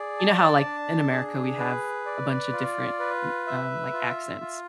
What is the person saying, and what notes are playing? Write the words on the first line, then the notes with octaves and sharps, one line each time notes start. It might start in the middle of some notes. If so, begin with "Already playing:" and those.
you know how, like, in America, we have a bunch of different, n um, like, accents?
Already playing: G#4 D5
A5
D4
G#4
B4
D5
F4
B4
E5
F4
F4